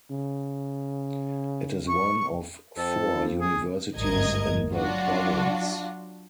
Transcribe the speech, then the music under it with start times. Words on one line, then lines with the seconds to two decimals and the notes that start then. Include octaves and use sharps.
It is one of four universities in the province.
0.11 C#3
1.87 C#6
2.77 F2 A4
3.40 G#4
3.96 G#1 D2 G2 A#4 D#5 G#6
4.75 F#3 D4 F4 F#4